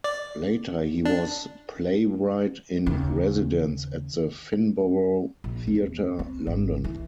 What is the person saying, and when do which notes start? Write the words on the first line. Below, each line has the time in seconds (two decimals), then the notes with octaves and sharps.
Later he was playwright-in-residence at the Finborough Theatre, London.
0.04 D5
1.05 D4
2.86 D#2 C#3
5.44 A#1
5.67 E2
6.19 C4
6.47 G#1
6.84 E3